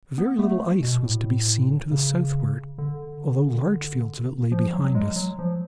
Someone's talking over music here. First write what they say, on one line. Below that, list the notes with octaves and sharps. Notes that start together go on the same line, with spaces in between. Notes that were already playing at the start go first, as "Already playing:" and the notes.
Very little ice was to be seen to the southward, although large fields of it lay behind us.
B3
A3
B2
A2
C#3
D3
F3
F#3
F#3
G#3
F#3
F3